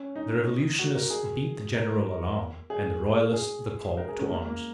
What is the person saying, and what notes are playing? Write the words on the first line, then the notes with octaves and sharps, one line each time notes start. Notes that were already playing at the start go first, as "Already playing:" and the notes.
The revolutionists beat the general alarm, and the royalists the call to arms.
Already playing: C#4
D#4
F#4
A#4
G#4
A#4
G#4
G#4
A#4
G#4
C#4
A#3
A#3